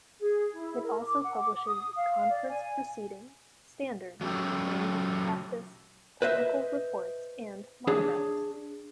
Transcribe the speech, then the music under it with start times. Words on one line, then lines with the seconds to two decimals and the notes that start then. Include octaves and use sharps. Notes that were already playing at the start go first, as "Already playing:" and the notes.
It also publishes conference proceedings, standards, manuals of practice, technical reports, and monographs.
0.20 G#4
0.55 E4
0.82 A#4
1.01 D6
1.22 F#5
1.38 D6
1.65 D#6
1.96 F5
2.29 D5
2.48 G#5
4.21 F#3 A3 C#4 G4 A4
6.22 B4 C5 D#5 E5
7.87 D4 G#4 C#5